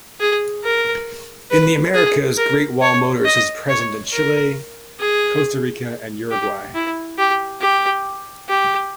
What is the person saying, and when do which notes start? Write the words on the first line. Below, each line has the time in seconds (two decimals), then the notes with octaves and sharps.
In the Americas, Great Wall Motors is present in Chile, Costa Rica and Uruguay.
0.20 G#4
0.64 A#4
1.51 B4
1.94 G#4
2.37 A#4
2.82 C#5
3.25 D#5
3.69 C#5
4.12 A#4
4.99 G#4
6.30 G4
6.74 E4
7.18 G4
7.61 G4
8.49 G4